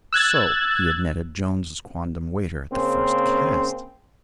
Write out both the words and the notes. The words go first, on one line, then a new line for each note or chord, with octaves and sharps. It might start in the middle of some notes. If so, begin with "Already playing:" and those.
So! he had netted Jones' quondam waiter at the first cast!
E6 F#6 G#6 A6
C#3 A#3 C4 C#4